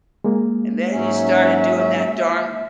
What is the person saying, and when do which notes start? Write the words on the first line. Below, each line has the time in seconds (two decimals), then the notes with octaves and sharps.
"And then, you started doing that darn
0.24 G#3 A#3
0.92 G#2 F#3 C#4 E5